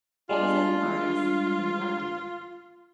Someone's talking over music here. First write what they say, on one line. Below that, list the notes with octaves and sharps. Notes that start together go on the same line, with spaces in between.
Cosette and Marius had been elected.
G3 G#3 D4 F4